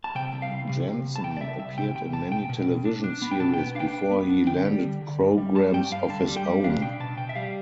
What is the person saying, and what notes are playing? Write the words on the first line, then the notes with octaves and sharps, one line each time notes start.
Janssen appeared in many television series before he landed programs of his own.
A5
C3 G5
C2
F5
C2
C3
C3
C2
A5
C2 G5
D5
C2 E5
C2 E5
C3 G5
C3 G5
C2 A5
B2 G5
B2
B2
D4
D4
B3
G5
B2 A5
B3 G5
D4 F5
G5
D4
B3
D4
D3 G5
G3
D3
D3
G2
G3
G3 A5
G2 G5
G2 F5
D3 A5
G3
G5
G3
D4 F5
B2 G5
B2 A5
B2 G5
E5
G3 F5